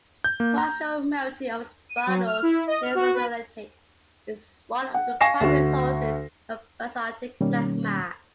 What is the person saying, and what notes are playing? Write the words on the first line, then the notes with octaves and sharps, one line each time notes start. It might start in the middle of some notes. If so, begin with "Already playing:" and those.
Partial melting of spinel lherzolite is one of the primary sources of basaltic magma.
G6
A#3
A#5
D#7
F#3
F6
E4
D#5
F6
F#4
B4
F#5
F5 G#5 C#6 A#6 C7 E7
D2 F#4
B2 D#3 G3 A#3 C#4